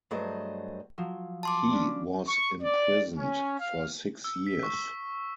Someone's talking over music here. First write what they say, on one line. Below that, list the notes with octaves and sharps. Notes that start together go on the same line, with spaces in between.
He was imprisoned for six years.
G2 F#3 A3 G#4 C5 D#5
F3 F#3
A5 C6 D6
C#4 D4 D5
C#6
D5
C#4
F5
E6
B6
C#6